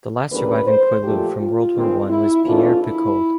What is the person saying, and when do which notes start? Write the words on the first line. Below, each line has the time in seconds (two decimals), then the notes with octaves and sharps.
The last surviving poilu from World War One was Pierre Picault.
0.31 D2 C#3 E3 G3 A#3 B4
0.67 C5
1.02 A#2 F3 A3 G4
1.38 F4
1.74 G2 D#3 G#3 C4
2.09 E4
2.45 D#2 C#3 E3 A3 D4 F4
2.81 E4